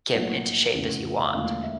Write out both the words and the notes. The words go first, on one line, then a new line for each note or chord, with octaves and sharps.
get into shape as you want.
B1 A2 F3 A#3 F#5
F1 E2 C#3
E1 D2 D3 F3 A#3 F5
E5